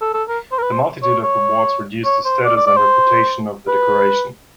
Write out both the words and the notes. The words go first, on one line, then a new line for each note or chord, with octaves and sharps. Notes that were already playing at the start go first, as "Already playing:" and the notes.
The multitude of awards reduced the status and reputation of the decoration.
A4
A4
A#4
C5
A#4
B4
C5
C#5
C#5
C#5
C5
D5
D5
D5
C5
B4